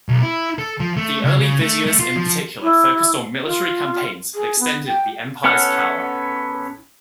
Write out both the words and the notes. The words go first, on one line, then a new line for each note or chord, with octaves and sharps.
The early viziers in particular focused on military campaigns that extended the Empire's power.
B1
E4
A4
F3
A3
C#3
C#3
A3
A3
F4
F3
E4
F4
G#4
B3
G5
B3 C#4 A4 F#5 F6